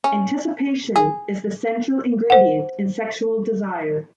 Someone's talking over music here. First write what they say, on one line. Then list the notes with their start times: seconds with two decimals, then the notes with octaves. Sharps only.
Anticipation is the central ingredient in sexual desire.
0.04 C#4
0.96 G#4
2.30 C5 F#5